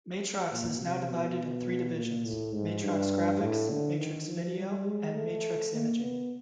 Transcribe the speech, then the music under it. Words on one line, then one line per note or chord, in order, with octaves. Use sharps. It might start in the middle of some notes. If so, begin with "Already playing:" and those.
Matrox is now divided in three divisions: Matrox Graphics, Matrox Video, and Matrox Imaging.
A#2
C3
B2
A#2
A2
G#2
G2
A2
D3
D#3
F3
G3
G#3
A3
A#3
B3